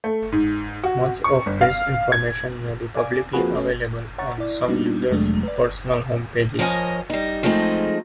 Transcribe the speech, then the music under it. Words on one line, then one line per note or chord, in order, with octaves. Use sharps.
Much of this information may be publicly available on some users' personal home pages.
A3
G#2
F#4
C#6
G1
F5
G#6
D5 F5 G#5 D6 G#6
F3 A#3 C4 F#4 G#4 B4
A3 C#4
C#5 F#5 A#5 C#6 A6
E4 D5
G3 A#3 B3 D4 D#4 F#4
F2 C3 F#3 G#3 A3 D4
B4 D5
F3 A#4 C#5 D#5 F#5 G#5
G3 D#4
F3 G#3 A3 C4 D#4 G#4